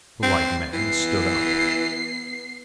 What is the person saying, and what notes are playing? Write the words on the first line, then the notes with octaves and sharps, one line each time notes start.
The white man stood up.
C4 C7
E3 B3 C7